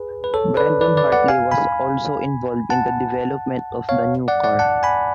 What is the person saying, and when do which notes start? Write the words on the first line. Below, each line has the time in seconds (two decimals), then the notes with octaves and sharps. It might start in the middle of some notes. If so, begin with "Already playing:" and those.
Brendon Hartley was also involved in the development of the new car.
Already playing: G#4 B4
0.24 B4
0.34 A4 C#5
0.57 B4 D5
0.81 B4 D5
0.97 B4 D5
1.12 D5 F#5
1.28 F5 G#5
1.51 G#5 B5
2.70 F#5 A5
3.89 C#5 F5
4.28 D5 F#5
4.44 D5 F#5
4.59 F#5 A5
4.83 G#5 B5